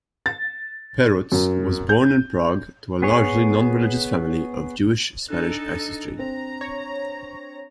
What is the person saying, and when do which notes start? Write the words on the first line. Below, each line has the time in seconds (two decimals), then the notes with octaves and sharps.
Perutz was born in Prague to a largely non-religious family of Jewish-Spanish ancestry.
0.26 A6
1.32 F#2
1.89 G6
3.02 B3 G#4 C#5
5.29 D4 D#4 A4 F#6
6.19 C4 A#5
6.61 C#5